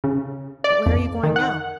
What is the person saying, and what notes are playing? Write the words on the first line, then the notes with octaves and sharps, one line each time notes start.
'But where are you going now?
C#3
D5
F2
D#3
F#5